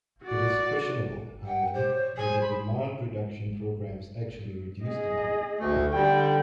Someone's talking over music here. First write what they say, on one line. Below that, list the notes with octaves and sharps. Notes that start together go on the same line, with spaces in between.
It is questionable, however, whether demand reduction programs actually reduce demand.
F#4 D5
F#5 G5
G4 C5
C#5
G#4 C5 G#5
B5
G#4 D#5
D2 A3
D3 G3 G5